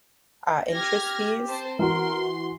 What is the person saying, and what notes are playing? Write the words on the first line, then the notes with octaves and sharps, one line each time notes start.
uh, interest fees,
G4 F6 G#6 A#6
C4 C5 A5
E3 F#4 A#4 C6